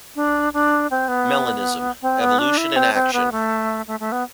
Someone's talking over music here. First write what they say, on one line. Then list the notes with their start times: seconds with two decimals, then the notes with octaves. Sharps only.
Melanism, Evolution in Action.
0.16 D4
0.54 D4
0.91 C4
1.08 B3
2.01 C4
2.20 B3
2.39 D4
2.58 E4
2.76 C4
2.94 C4
3.13 B3
3.32 A3
3.87 A3
4.00 A3
4.12 B3